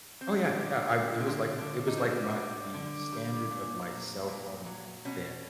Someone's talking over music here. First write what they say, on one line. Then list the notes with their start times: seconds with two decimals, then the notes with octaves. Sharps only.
Oh, yeah, yeah, I it was like it was like my the standard of my cell phone then,
0.21 C4
0.32 C#4
0.43 D3 D4
0.82 G#3
1.20 D3
1.58 D3
1.87 D#4
1.97 G3 D4
2.36 G3
2.74 D3
3.13 G3
3.51 A#2
3.89 F#3
4.28 A#2
4.66 F#3
5.05 B2 C#4